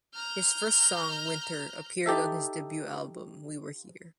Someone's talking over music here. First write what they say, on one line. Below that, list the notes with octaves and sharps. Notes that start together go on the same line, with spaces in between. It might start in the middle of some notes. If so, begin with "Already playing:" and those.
His first song, "Winter", appeared on his debut album "We Were Here".
A#5 F6 G6
D#4 G4 A4 E5